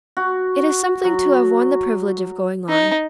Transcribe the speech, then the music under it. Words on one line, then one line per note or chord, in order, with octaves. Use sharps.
It is something to have won the privilege of going on.
F#4
F#3
D#4